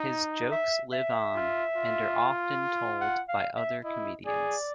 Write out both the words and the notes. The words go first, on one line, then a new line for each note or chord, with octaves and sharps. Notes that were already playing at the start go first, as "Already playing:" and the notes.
His jokes live on and are often told by other comedians.
Already playing: D#4
E5
E5
F4
F4
F#5
F5
E5
E4 D#5
G#4 D5